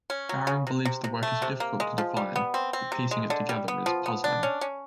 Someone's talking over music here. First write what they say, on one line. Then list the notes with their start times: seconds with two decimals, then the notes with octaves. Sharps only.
Bowring believes the work is difficult to define, that piecing it together is puzzling.
0.10 C#4
0.29 F#3
0.47 C#3
0.67 C3
0.85 C3
1.04 C3
1.23 A3
1.42 C3
1.60 A#3
1.80 G#3
1.98 F3
2.17 G3
2.36 B3
2.54 C4
2.73 C4
2.92 C3
3.11 G#3
3.30 D3
3.49 G3
3.68 B3
3.86 F3
4.06 B3
4.24 D4
4.43 C#4
4.61 C#4